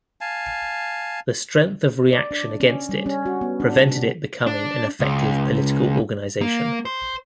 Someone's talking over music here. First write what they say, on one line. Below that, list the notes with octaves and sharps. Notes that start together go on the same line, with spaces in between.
The strength of reaction against it prevented it becoming an effective political organisation.
F5 G#5 A5
D5
D4
C#4
G3
C#4
F#4
B3
D4
C3
D4
C#2
A#3
C5